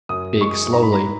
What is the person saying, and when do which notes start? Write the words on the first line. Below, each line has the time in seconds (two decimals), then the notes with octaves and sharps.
Bake slowly.
0.09 F#2 D#6
0.41 G#3 C#6
0.72 G#2 A#5
0.83 B5
0.93 A#5